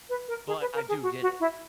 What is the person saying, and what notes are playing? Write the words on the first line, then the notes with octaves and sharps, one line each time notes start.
But I do get it.
B4
A#4
G#4
B4
A#4
G#4
F#4
F#4
E4